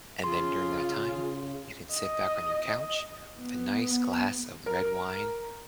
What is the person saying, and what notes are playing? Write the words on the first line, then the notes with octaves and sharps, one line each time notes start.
And then during that time, you can sit back on your couch with a nice glass of red wine,
C#3 F4 G#4 C6
D#5
B3
A#4